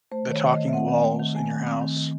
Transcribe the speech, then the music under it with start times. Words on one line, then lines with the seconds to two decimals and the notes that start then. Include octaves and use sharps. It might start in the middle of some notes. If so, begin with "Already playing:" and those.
the talking walls in your house,
0.12 A3 C5
0.27 D#3
0.32 C#5
0.42 D#3
0.52 D#5
0.58 A3
0.68 E5
0.73 C4 F#5
0.88 D#3
1.05 A3
1.19 D#3
1.35 A3 G#5
1.50 D#3
1.66 C4
1.82 D#3
1.96 D#3